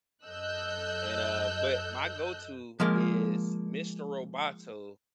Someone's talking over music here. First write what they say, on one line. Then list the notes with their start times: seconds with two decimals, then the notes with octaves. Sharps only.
And, uh, but my go-to is “Mister Roboto”
0.24 F#2 A4 D#5 E6 F#6 G6
2.80 F3 G#3 A#3